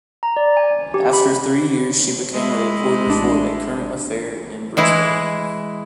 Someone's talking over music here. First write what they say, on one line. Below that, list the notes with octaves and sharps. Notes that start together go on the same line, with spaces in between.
After three years she became a reporter for "A Current Affair" in Brisbane.
A#5
D5
G#5
G4
B5
G#3 E4
A1 D4
E3 G#3 E4